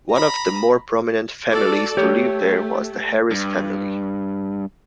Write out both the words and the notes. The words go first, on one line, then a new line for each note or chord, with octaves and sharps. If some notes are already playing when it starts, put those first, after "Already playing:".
One of the more prominent families to live there was the Harris family.
A#5 B5
F#4 A4 D5
A3 G4 C#5
G2